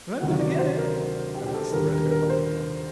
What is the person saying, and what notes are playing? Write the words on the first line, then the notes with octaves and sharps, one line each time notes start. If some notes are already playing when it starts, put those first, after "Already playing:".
"And I'm going to get it," announced the red-haired lad again.
D2 C3 D#3 F#3 F#5
D5
C5
A#4
G4
G4
A4
D#2 D3 G3 A#4
A#4
A#4
C5